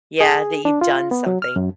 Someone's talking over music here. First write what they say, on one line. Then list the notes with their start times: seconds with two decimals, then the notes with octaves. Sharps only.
Yeah, that you've done something.
0.21 G#4
0.65 D4
0.81 F4
1.11 B3
1.26 F#3
1.42 F6
1.56 F#2